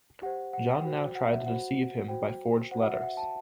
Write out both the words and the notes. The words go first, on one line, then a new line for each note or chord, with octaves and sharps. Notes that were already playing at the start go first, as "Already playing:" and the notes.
John now tried to deceive him by forged letters.
G4 C5 F#5
F#5
G5
F#4 C5
F#5
E5
F#4 C5 F#5
F#4 C5 G5
F#4 C5 F#5
F#5
E5
F#5
A5